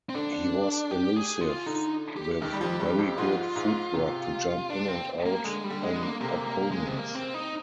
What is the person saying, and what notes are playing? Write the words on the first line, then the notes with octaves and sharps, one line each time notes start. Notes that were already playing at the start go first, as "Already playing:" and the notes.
He was elusive with very good footwork to jump in and out on opponents.
C4
D3 D4
G4
G#4
F4
D3 D#4
G4
D#2 D#3 G4
G3
F2 F3
G2 G3
F2 F3
G#2 G#3 F4
G#2 G#3
C3
D4
C4
A#3
D3 G#3
G3
D3
G#3
D3
A#3
C3 A#3
A#3
G#3
C4
A#3
C4
D#4